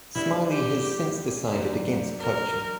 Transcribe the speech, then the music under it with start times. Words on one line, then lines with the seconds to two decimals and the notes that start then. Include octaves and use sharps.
Smiley has since decided against coaching.
0.15 E2 C#3 G3 B3 D4 E4
0.50 G4
1.52 F#2 D3 A#3 D4 G4
2.20 A#4